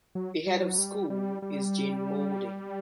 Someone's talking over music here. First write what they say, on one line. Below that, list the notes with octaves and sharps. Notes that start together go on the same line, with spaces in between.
The Head of School is Jane Moulding.
F#3
G3
F#3
G3
G3
G3